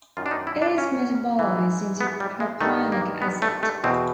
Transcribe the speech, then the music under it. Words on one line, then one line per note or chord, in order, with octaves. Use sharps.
It is metabolized into propionic acid.
F#2 D#3 F4
D4
D#4
E4
D4
C#4
G#2 E3
B3
G3
G#3
G2 D#3 A3
A#3
B3
A3
A3
E2 B2 C4